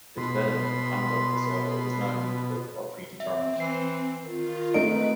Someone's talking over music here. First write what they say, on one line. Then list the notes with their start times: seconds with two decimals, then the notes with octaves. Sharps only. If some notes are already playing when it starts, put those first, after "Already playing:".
The development of conduct disorder is not immutable or predetermined.
0.17 B2 B5 C6
3.20 C4 E5
3.60 E3 C7
4.23 D#3 F4
4.74 A3 C4 D#4 B4 D7